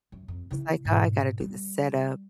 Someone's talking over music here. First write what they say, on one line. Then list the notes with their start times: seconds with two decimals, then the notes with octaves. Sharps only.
it's, like, I got to do the setup
0.12 F#2
0.28 F2
0.51 C#3 E4
0.85 G#2 B2
1.40 G3